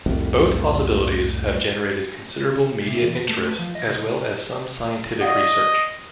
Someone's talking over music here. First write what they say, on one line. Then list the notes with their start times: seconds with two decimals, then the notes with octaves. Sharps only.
Both possibilities have generated considerable media interest, as well as some scientific research.
0.06 C2 F2 A2
2.86 C3
3.01 E2
3.15 B4
3.28 A3
3.47 B4
3.59 F3
3.75 D#5
3.88 C2
5.21 D5 D#5 F5 F#5